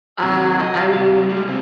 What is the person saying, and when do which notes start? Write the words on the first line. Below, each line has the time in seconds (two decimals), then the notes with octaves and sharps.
uh, I'm
0.23 D#2 C3
0.60 D#5
0.79 F5
0.95 C2 C3
1.29 G3 G#3
1.47 C#2 C4